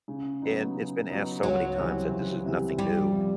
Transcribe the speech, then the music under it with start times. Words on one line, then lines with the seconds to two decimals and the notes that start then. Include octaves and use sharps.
and it's been asked so many times that this is nothing new,
0.08 C#3
0.42 F#3 B3 D#4
0.75 C#3
1.09 F#3 B3 D#4
1.43 C#2 F#3
1.77 C3 E3 G3 C4
2.11 C#2
2.45 C3 E3 G3 C4
2.78 F2 G3
3.13 C3 F3